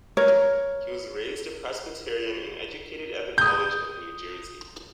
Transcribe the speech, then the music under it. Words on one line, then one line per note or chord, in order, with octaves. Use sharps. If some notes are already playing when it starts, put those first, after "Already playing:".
He was raised a Presbyterian and educated at the College of New Jersey.
A#4 C#5
D#6 G6